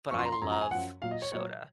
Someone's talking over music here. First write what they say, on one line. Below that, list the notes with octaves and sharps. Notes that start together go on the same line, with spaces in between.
but I love soda,
F#2 F3 C#6
C6
A#5
C6
F#2 F3 A#5
A#5
G#5
F#2 F3 F#5
A#2 F#3 F5
D#5
C#5
A#2 F#3 C#5